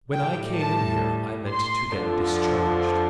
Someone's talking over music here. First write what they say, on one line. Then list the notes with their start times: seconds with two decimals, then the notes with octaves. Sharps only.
When I came in here I meant to get discharged.
0.13 A2 G3 G5
0.59 A5
1.50 C6
1.96 F2 D3 F3